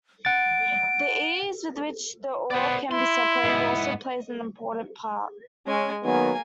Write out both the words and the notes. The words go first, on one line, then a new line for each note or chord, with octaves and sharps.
The ease with which the ore can be separated also plays an important part.
F#5 A6 D7
B3 C5 D5
E4 C6
G#2 B3
G#3 C#4 G#5
D#3 F#3 A#3 B3 G#5